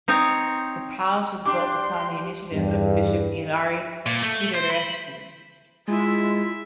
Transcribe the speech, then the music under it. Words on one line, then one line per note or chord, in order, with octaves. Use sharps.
The palace was built upon the initiative of Bishop Ilarie Teodorescu.
C4 D#4 C#5
D4 G4 G5 C6 D6
E2 G2
A#2
A3
C5
B5
G#3 E4 F4 E5